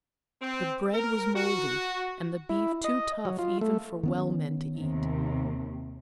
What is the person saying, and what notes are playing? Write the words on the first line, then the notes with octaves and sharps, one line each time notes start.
The bread was moldy and the beef too tough even for well men to eat.
C4
A#4
F#4
E4
D#5
F#3
F4
A3
D#3 B3 C#4
D#2 C3